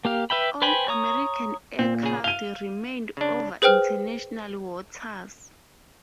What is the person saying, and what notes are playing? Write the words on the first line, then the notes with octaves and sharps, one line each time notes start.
All American aircraft remained over international waters.
A#3 G4 F5
B4 E5 G5 B5
B4 C5 G5 G#5 B5
C#5 A#5 D#6
A#2 C4
C#3 G#4
F5 D#7 G7
C#3 D4
G#4 B4 C5 G5 F6